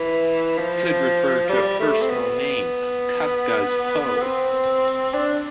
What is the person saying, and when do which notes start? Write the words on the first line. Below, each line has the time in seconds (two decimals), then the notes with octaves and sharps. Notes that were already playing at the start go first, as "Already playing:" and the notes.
It could refer to a personal name - Cucga's Hoe.
Already playing: E3
0.58 F3
1.49 G3
1.80 A3
2.02 C4
2.10 B3
4.22 C4
5.14 D4